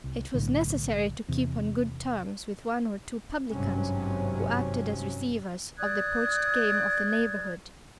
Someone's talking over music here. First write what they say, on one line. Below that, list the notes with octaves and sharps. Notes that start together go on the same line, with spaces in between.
It was necessary to keep on good terms with one or two publicans who acted as "receivers" of the poached game of the neighbourhood.
C2
B1 A2 D3
E2 C3
G#1 G2 C3 F#3 C#4
D5 D#6 F#6 G#6